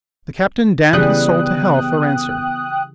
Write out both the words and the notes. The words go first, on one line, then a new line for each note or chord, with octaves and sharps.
The Captain damned his soul to hell for answer.
C#3 E3 G3 B3 G#4 G5 D#6 F#6